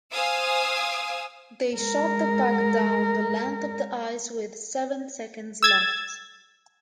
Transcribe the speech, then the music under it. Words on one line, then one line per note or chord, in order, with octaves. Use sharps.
They shot the puck down the length of the ice with seven seconds left.
C5 F5 G#5 D#6 E6
G#3 A#4
E6 G#6 A6